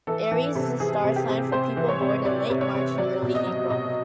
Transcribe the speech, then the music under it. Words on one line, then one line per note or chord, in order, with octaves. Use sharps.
Aries is a star sign for people born in late March and early April.
E3 A4
E3
C3
E3 G#4
C3
G4
C3
C3 C5
E3
C#5
C3
C3 D5
C3
C#5
C3
F#3 D5
B2
D#5
F#3
B2 D#5